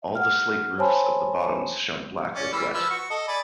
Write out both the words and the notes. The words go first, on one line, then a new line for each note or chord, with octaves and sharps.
All the slate roofs of the Bottoms shone black with wet.
F#5 F6
C5 C#5 G#5 A5 B5 C6
C#4 D5
E3 G3 E6
F3 B4 E6
F#4 C#6
A4 D#5
D5 G#5 B5